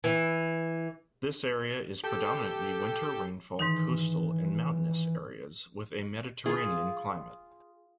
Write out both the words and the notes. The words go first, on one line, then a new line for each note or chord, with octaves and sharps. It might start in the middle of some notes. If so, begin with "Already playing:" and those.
This area is predominantly winter rainfall coastal and mountainous areas with a Mediterranean climate.
E3
G4 A4 G6
G#2 D#3 E3 D#4
F4 G#4